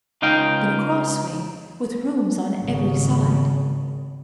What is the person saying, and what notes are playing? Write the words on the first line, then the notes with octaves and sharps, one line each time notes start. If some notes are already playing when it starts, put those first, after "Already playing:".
Then a crossway, with rooms on every side.
C#2 D#4 F5 G5
G#1 C#3